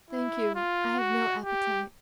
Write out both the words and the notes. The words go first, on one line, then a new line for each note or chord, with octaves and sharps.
"Thank you, I have no appetite."
E4
F4
F#4
G4